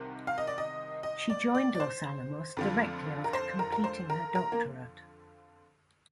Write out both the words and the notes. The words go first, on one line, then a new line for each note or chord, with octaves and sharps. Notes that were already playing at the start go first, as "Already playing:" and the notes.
She joined Los Alamos directly after completing her doctorate.
Already playing: C2 C3 D#3
F5
D#5
D5
D#5
D#5
D5
D5
D5
C5
F2 D3 F3
A#4
C5
A#4
A#4
C5
A#4
A#4
A#3